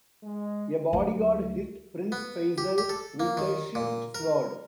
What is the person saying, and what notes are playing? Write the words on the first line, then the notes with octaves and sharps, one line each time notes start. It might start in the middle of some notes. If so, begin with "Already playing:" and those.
A bodyguard hit Prince Faisal with a sheathed sword.
G#3
D2 F#3
B3
G4
G4
A4
A#3
D#3
A#2
A#4